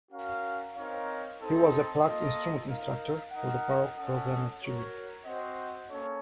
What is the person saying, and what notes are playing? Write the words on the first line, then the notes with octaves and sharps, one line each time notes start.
He was a plucked instrument instructor for the Baroque program at Juilliard.
C#4 F#4 A#4 F5
C4 D#4 A#4 C#5 F5
C4 D#4 A4 C5
A#3 F4 A4 D#5
D#4 A#4 F5
D#4 A#4 D#5 F#5
C#4 A4 D#5 F#5
F#4 A#4 C#5
C4 F#4 C5 D#5 F#5
A#3 C#4 A4 C#5